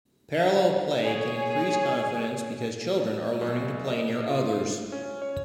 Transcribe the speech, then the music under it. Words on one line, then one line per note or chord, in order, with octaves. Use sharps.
Parallel play can increase confidence because children are learning to play near others.
G#4 C#5
B1
D#5
F4
C#4
C#5